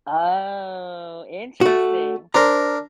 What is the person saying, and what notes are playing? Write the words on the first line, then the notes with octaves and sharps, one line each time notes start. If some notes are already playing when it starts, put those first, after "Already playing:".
Oh, interesting.
A3 F#4
D4 A#4 C5 A#5